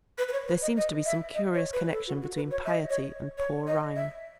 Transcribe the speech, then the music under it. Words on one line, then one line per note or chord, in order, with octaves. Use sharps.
There seems to be some curious connection between piety and poor rhymes.
B4
B4
C#5
B4
D#5
D#5
E5
D#5
C#5
B4
A4
F#4
F#4
B4
C#5
E5
D#5
C#5
C#5
D#5
E5